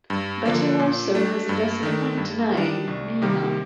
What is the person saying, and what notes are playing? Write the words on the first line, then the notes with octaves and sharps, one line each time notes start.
Beti also has a Desi friend named Meena.
G2
D3 F3 A#3 D4
A#2
A3 D4
G2
D#3 A3 D4
G2
D#3 G3 D4
C2
C3 D#3 G3 A#3